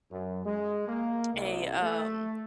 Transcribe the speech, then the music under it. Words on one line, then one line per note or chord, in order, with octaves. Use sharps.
a, um
F#2
G#3
A#3
C2
A3